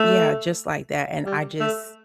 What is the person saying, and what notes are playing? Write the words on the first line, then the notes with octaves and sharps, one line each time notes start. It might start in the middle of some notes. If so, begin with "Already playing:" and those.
yeah, just like that, and I just
Already playing: A3
G3
A3